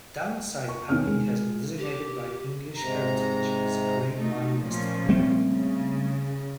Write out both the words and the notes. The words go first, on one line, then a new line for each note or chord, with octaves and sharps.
Downside Abbey has been designated by English Heritage as a grade one listed building.
C#6
D#3 B3 C#4 F6
G#3
G4
G#2 C3 A#5
A3 D#4
A#2 F3 C#4
G3 A3 C4
C#3